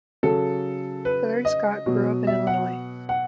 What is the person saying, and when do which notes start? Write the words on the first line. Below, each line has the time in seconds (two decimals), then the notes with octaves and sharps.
Hillary Scott grew up in Illinois.
0.23 C#3 F#3 A4
1.05 B4
1.45 D#5
1.86 B2 F#3
2.27 E5
2.47 F#5
3.09 F#5